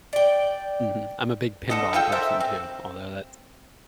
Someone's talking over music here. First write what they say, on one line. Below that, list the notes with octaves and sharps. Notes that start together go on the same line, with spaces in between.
Mhm, I'm a big pinball person too, although that's
D5 G5
D3 A4 D#5
F4 G#4 A4 G5
A4 A#4 C5 E5
C4